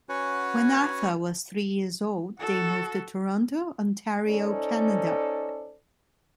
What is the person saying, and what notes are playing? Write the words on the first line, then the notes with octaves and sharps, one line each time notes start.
When Arthur was three years old, they moved to Toronto, Ontario, Canada.
C#4 F#4 B4 C#5 F#5 G#5
F#4 A4
C#4 D#4 A4 C5 D5